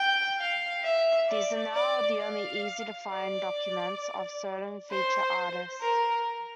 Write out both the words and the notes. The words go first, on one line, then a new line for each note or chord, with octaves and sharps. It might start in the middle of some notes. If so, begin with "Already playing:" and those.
These are now the only easy-to-find documents of certain featured artists.
Already playing: G5
F5
E5
D5
D5
F5
D5
C5
A#4